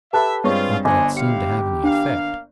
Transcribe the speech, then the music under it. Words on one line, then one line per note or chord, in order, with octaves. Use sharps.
Not that it seemed to have any effect.
G4 A4 B4 E5 A5 B5 F#6
G2 G#3 C4 F4 B4 C#5 C#6
G1 D4 C5 C#5 D#5 G#5 D6
E4 G4 F5 C#7
A#3 D4 F5